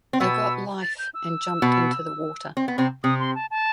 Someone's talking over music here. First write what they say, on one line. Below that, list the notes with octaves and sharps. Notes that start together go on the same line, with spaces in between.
They got life and jumped into the water.
C4
B2 B3 E6
A6
G6
E6
B2 B3
C4
B3
C3 C4
C3 C4 D#6
C6
A5
A5